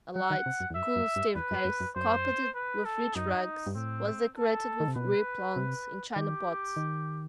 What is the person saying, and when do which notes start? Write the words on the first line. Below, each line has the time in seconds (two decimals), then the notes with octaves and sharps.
A light, cool staircase, carpeted with rich rugs, was decorated with rare plants in china pots.
0.15 F#3 F#5
0.30 D#3
0.46 C3
0.60 F#2
0.70 E2
0.75 F#2 E5
0.96 F#2
1.16 G2
1.36 E2 B4
1.51 F#2
1.65 F#2
1.80 F#2
1.96 F#2 C5
2.55 B4
2.85 A4
3.15 F#2 D#4
3.67 G2
3.75 A2 C4
4.36 A4
4.80 D#3
4.88 C3
4.96 B2 B4
5.56 C3
6.16 D#3 G4
6.76 D#3